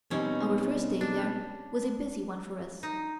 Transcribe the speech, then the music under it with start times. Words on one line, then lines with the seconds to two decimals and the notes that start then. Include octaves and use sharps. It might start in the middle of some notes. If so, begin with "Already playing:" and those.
Our first day there was a busy one for us.
0.10 B2 G3 C4 C#4 D#4
1.01 D4
2.83 D#4